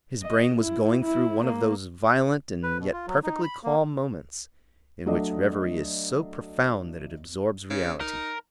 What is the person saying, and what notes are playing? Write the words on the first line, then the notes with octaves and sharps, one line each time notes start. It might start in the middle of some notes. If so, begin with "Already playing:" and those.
His brain was going through one of those violent and yet perfectly calm moments in which revery is so profound that it absorbs reality.
D#5
E4
E4
A#3
B4
B2
F4
F#3
D#4
B5
A#3
F#3 A3 D4 D5 D#5
C#3
D#4 A#4